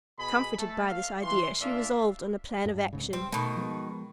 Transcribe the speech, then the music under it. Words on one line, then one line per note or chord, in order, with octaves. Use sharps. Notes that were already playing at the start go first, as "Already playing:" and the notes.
Comforted by this idea, she resolved on a plan of action.
B2 G#4 B5
A3 A4
F5
E3 C6
A#2 D4 D5 E5 F5
G2
C2 G#2 C#3
G3 C4
B2 D#3 A3
F3 G#3 B3